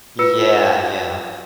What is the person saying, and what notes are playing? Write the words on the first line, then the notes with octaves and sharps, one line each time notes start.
Yeah, yeah.
F4 B4 E6 C#7